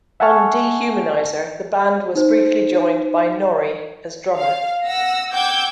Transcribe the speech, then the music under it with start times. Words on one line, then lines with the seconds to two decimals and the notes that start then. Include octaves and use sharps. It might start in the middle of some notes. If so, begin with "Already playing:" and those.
On "Dehumanizer" the band was briefly joined by Norri as drummer.
0.20 E5 F#5 G#5 A5 C#6 F6
2.15 D#4 C5
4.36 F5
4.86 F#5 E6 A#6
5.32 F#5 G5 D6 E6 G6 G#6